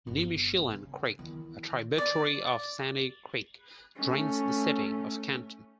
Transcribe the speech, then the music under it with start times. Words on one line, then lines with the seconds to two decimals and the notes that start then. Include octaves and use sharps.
Nimishillen Creek, a tributary of Sandy Creek, drains the city of Canton.
0.07 G1 C4
0.71 C#3
1.19 E2 D#3
1.98 D5
3.96 A3 C#4